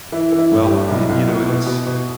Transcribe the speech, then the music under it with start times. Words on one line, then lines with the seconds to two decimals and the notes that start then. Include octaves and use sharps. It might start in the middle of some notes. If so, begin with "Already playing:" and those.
well, it you know, it's
0.12 E3 E4
0.32 E3
0.38 E4
0.51 G1
0.64 G4
0.71 G2
0.89 B1 E4
1.09 B1
1.29 B2
1.48 B2
1.67 B2
1.86 B2